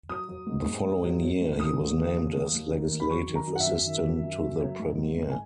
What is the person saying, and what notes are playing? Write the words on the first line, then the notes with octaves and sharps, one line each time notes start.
The following year, he was named as Legislative Assistant to the Premier.
F#3 D#6
F#3
G#2
G#2
G#2
F#3
F#3
G#2
D#3 D#6
D#2
D#2
D#2
D#2
D#2
D#3
D#2
B5
F#3 C#6
D#3
A#5
F#2
F#5
E5
F#2
D#3
F#3
F#2
F#2
F#3
G#2
G#2
G#2
G#5